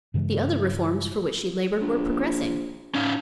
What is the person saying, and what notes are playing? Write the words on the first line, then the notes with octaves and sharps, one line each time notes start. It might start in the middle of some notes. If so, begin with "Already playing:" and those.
The other reforms for which she labored were progressing.
G2 C#3 E3 G#3
A#1
C#4 D#4 F5